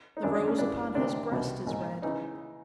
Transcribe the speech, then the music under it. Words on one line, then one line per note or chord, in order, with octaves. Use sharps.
The rose upon his breast is red.
D#4
G#1 F#2 D#3 D4
D4
C#4
G#1 G2 E3 D4
D2 C3 D#3 D4
C2 B2
A#1 G#2 D#3
C#3 E3 D#4